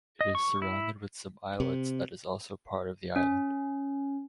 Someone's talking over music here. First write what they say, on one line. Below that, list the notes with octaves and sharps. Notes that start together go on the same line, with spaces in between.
It is surrounded with some islets that is also part of the island.
D#5
C#6
E4
C3
C#4